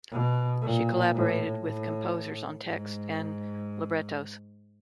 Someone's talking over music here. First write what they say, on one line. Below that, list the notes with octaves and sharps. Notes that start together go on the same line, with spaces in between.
She collaborated with composers on texts and librettos.
B2
A#2
A2
A2
G#2